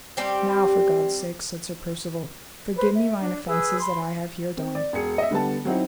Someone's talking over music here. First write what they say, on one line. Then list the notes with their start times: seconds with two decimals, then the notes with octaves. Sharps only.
Now for God's sake, said Sir Percivale, forgive me mine offences that I have here done.
0.17 G3 C4 G4
2.75 B4 C5
2.93 E5
3.18 D4
3.48 G#4 B4 G#5 E6
3.80 B5 C6
4.57 C4
4.75 D5
4.93 E1 G#4 C#7
5.18 D#5 E5
5.31 D3 G3 B3 A5
5.65 F#3 C4 D#4 E4